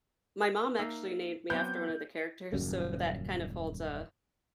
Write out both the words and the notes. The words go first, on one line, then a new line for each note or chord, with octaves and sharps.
My mom actually named me after one of the characters, so that kind of holds a
A#3 D#4 E5
F#3 B3 C4 B4 D5 G6
D#1 A#1 F#2 C#3